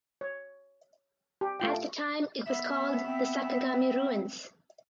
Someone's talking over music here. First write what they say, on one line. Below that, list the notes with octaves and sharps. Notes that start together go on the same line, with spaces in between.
At the time it was called the "Sakagami Ruins".
C#5
G4
A3 F4 G5
B3 E5
C4